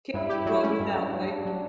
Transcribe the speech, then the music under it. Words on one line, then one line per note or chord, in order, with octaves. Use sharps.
can't go wrong with that, right
G2 E4
G4
F#3
C#4
G2 D4
G2
G2
G2
F#3